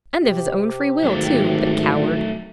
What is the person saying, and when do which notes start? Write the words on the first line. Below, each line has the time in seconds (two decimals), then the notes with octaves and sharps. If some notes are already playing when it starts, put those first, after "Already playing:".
And of his own free will, too, the coward!
0.21 C3 G4
1.04 G#1 F#3 A3